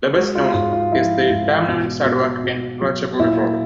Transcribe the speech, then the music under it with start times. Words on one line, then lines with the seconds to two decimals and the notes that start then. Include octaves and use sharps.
The best-known is the Damnoen Saduak in Ratchaburi Province.
0.16 G#3 F#4
0.35 F4
0.54 G#2 F4
0.73 F4
0.92 F3 E4
1.30 G#2
1.68 B2
2.05 B2
2.44 B2
2.82 F#3
3.19 A#2 E4